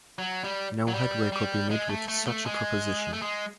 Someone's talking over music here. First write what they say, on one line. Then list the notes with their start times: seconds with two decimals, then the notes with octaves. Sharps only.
No headway could be made with such a proposition.
0.19 F#3
0.44 G3
0.88 F#3
0.94 G3
1.32 G3
1.71 G#3
1.89 A3
2.08 A3
2.26 A3
2.46 G#3
3.13 A3
3.22 G#3